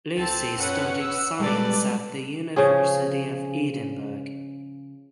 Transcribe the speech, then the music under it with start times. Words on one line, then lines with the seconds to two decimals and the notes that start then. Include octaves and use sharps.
Lucey studied science at the University of Edinburgh.
0.18 C#2 C4 A4 A5
0.57 F#2 C#4 B4 F#5
1.00 D#1 E6
1.40 A#2 G3 G#3 G4 A4 B4 D5
2.56 C#3 F3 C#4 G#4